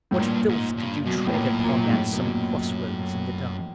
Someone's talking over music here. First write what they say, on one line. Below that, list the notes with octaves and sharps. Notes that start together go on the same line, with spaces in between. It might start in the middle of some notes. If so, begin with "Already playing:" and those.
What filth did you tread upon at some crossroads, in the dark?
F#2 A2
G2 A#2
G#2
G2
F#2 B2
G2
F#2 A2
A#2
A#2
G#2
A2
B2
A#2